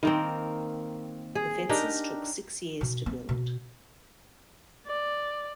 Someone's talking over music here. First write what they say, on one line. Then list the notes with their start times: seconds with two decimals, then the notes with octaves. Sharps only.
The fences took six years to build.
0.03 D#3 A#3 C4
1.35 G#4
1.69 D4 D#4 G4 A#4
2.81 B2
3.06 B3
3.29 B2
4.87 D5